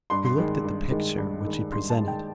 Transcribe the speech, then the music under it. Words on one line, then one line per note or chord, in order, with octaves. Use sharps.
We looked at the picture which he presented.
G2 C6
C6
D#3 G#3
G2
D#3 G#3
G2
D#3 G#3
G2 C6
A5
D#3 G#3
G5